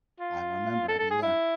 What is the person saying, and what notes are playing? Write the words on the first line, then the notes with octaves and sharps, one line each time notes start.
I remember, yeah.
F4
A4
A4
G#4
E4